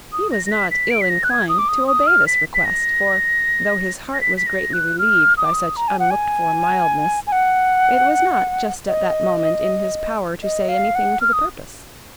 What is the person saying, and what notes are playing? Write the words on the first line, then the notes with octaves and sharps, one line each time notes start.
He was not ill-inclined to obey this request, for, though his heart was greatly relieved by such unlooked-for mildness, it was not just at that moment in his power to say anything to the purpose.
D#6
A#6
A#6
B6
B6
D7
B6
A#6
F#6
G#6
D#6
D6
D#6
D#6
F6
B6
B6
A#6
A#6
B6
B6
A#6
F#6
F6
D#6
D6
D#6
A#5
G#5
F#5
G#5
G#5
F#5
D#5
D#5
F5
F#5
F6
D#6